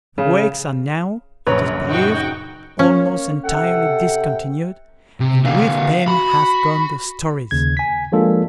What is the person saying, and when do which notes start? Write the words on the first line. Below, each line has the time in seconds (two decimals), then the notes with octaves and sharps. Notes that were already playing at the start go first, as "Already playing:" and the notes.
The wakes are now, it is believed, almost entirely discontinued, and with them have gone the stories.
0.18 C#3
1.47 A#1 F#2 C#3 F#3 B4 C#5 A#5
1.89 D#4 F#4 G5
2.79 A#3 C#4 C#5
3.44 C3 A4 F#5 G5
5.20 C3
5.45 A#2 D3 E5 F5
6.08 F#4 B5
7.51 D#2 C#3 G#6
7.77 G#5 B6
8.12 F3 G#3 A#3 D4 F4 A4